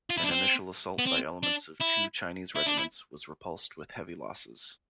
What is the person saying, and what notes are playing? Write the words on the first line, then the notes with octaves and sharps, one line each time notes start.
An initial assault by elements of two Chinese regiments was repulsed with heavy losses.
F4
E4
D4
C4
B3
C4
D4
E4
E4
D4
E4